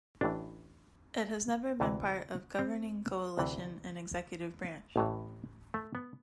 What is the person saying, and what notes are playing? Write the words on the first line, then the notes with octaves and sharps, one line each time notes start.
It has never been part of governing coalition in executive branch.
A1 A2 E3 D4
D2 C3 E3
C4
D2 C3 E3
A1 A2 E3
A3
B3